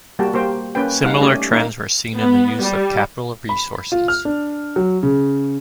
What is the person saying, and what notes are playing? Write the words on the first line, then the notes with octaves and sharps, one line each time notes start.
Similar trends were seen in the use of capital resources.
G3 A#3 F#4 G4 G5 A5
A#3 G4 C5 G5
A#3 C#4 B4 G5
G3 D#4 F5 F#5
A3 C#4 G4 D5 G#5
A#3 D#4 A#4
B3
G3
B5
F4
F6
D4
F#3
C#3